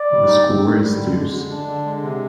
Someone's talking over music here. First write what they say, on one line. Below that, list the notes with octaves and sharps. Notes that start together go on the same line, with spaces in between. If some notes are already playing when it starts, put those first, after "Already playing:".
The score is deuce.
Already playing: D5
G3
D#4
C4
D#3
G3
D3
G#3
D3
D4
D3
G#3
C3